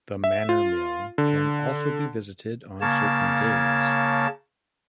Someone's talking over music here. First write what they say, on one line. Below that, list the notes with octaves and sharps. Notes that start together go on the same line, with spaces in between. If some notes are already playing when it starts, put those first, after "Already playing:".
The manor mill can also be visited on certain days.
E5
F4
D3
C#3 A#3 C#5 A5